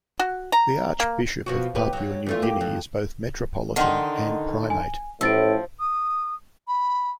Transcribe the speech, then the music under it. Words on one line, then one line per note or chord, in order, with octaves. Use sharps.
The Archbishop of Papua New Guinea is both Metropolitan and Primate.
F#4
A#5
A#3
B2 F3 F#4
D#2 G4 B4
F#2 F#3
E2 A3 F4
A#3 G4
F2
D3 D#3 D#4 F#5 C6
G#5
A1 A2 F3 E6 A6 D7
D#6
B5